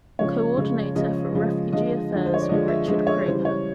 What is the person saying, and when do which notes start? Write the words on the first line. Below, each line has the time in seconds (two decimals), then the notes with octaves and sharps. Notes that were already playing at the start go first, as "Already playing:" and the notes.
Coordinator for Refugee Affairs, Richard Krieger.
0.19 C#3 F3 G#3 C#5
0.57 C#3 F3 G#3
0.96 C#3 F3 G#3 D#5
1.34 C#3 F3 G#3
1.72 D3 F3 G#3 D#5
2.11 D3 F3 G#3
2.26 C5
2.34 C#5
2.42 D5
2.49 D3 F3 G#3 D#5
2.68 E5
2.87 D3 F3 G#3 D#5
3.07 C#5
3.26 C#3 E3 G3 C5
3.45 C#5